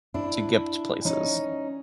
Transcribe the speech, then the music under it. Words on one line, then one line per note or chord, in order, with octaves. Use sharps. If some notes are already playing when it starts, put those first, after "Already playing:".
to get to places.
D4 E4
C#4 D#4